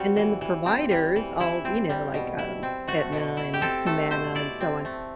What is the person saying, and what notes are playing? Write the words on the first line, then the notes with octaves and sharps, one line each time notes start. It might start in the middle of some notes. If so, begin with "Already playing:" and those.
And then the providers, all, you know, like, um, Aetna and Humana and so on,
Already playing: G3 C4 F#4
E3
E3
C4
G3
E3
E3 E4
C4
G3
B2
E4
C4
A3 F#4
B2
E4
G4
C4 A4
A3 A4
B2 C5
E4 D5
C4
A3